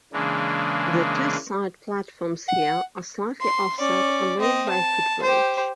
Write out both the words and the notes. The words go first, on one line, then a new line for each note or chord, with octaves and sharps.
The two side platforms here are slightly offset and linked by a footbridge.
C#3 E3 G#3 A#3 D4
F#5
C6
C#4 D5
C4 D#5
A5
G4 C5